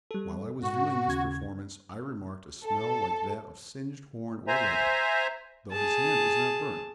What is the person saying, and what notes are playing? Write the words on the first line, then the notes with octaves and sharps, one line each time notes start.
While I was viewing this performance, I remarked a smell like that of singed horn or leather, though his hand was not burnt.
G3 A4
G#2 F#4
D#2 C#3 G#6
A4
C5 E5 G#5 A#5
G#4 A5